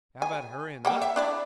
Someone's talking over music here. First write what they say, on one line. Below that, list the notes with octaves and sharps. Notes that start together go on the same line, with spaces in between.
"How 'bout hurryin' up?"
G#5
A#3 F#5 G5
E5
D4 E4 D5